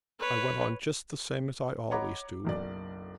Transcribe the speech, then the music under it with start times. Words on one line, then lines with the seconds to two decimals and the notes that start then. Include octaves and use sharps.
I went on just the same as I always do.
0.19 B4 C#5
1.91 C#5 D#5 F#5 A#5 B5 D6
2.44 F#1 B1 D5